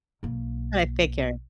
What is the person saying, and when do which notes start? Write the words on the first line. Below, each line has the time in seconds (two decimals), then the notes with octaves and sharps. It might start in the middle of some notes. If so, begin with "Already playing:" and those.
I figure.
0.23 B1 A#3